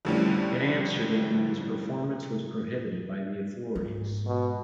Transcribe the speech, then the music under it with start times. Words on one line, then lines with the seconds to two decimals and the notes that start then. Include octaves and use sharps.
In Amsterdam his performance was prohibited by the authorities.
0.05 F2 A2 D3 E3 G3 C#4
3.76 G#2
4.26 B2